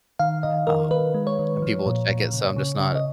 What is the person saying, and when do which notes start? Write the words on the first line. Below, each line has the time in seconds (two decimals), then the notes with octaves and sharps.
um, and people would check it, so I'm just not
0.19 D#3 F5
0.43 D#3 D#5
0.67 D#3 A#4
0.91 D#3 B4
1.14 G#3
1.27 C#5
1.39 D#3
1.62 F3
1.86 A#2
2.09 A#2
2.33 C#3
2.56 C#3
2.80 C#3
2.95 D#5